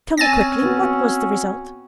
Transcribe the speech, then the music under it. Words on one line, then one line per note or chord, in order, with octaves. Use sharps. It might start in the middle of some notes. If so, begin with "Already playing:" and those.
"Tell me quickly--what was the result?"
C4 C#4 G#5 A6 A#6
B3 F#4